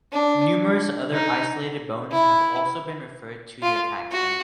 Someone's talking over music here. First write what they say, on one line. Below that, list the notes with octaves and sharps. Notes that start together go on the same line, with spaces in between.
Numerous other isolated bones have also been referred to the taxon.
D4
D#4
E4
F4
F#4